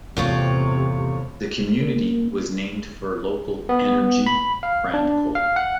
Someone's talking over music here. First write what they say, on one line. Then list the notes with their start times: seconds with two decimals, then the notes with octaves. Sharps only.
The community was named for local "Energy" brand coal.
0.17 E2 A2 C3 E3 F4 C#5
1.81 A#3
3.69 B3
4.27 B5
4.63 F5
4.94 D4
5.35 F5
5.56 F#5